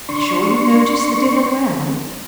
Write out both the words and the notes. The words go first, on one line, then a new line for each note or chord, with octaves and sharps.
Be sure you notice the dinner well.
D4 C6 C#6